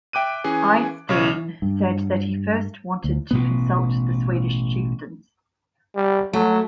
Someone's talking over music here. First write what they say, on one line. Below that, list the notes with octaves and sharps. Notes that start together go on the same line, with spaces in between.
Eysteinn said that he first wanted to consult the Swedish chieftains.
E5 G5 D6 F#6 D#7
E3 C#4 G#4
B1 C#3 C#5 F6
G2
D2
A1 B2 B3
G3
F#3 A3